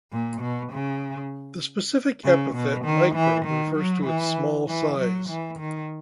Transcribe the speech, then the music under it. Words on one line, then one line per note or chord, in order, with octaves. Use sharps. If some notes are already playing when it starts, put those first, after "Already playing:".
The specific epithet "micra" refers to its small size.
A#2
B2
C#3
C#3
B2
D#3
E3
D#3
F#3
E3
E3
F#3
E3
D#3